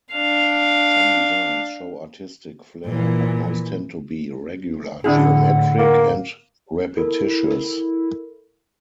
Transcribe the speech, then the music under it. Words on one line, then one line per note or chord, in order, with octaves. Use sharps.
Some designs show artistic flair, but most tend to be regular, geometric, and repetitious.
D4 F5
A#2 E3
A2 D3 D4 E4 G#4 F#5
A#3
E4 A4 A#4